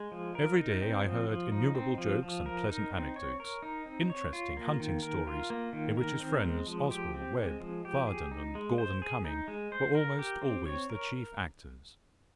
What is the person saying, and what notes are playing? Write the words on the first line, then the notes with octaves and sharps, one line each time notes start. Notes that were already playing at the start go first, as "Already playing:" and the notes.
Every day I heard innumerable jokes and pleasant anecdotes; interesting hunting stories, in which his friends Oswell, Webb, Vardon, and Gorden Cumming were almost always the chief actors.
Already playing: G#3
F3
A#4
D#4
C4
F3
F3
D#4
C4
F3
F3
A#4
D#4
C4
C#5
A#4
D#4
C4
C#5
F4
A#3
D#3
A#4
F4
A#3
D#3
A#4
C4
G#3
F3
G4
C4
G#3
F3
G4
G#4
D#4
G#3
C5
G#4
D#4
G#3
C5
A#4
G4
C4
C#5
A#4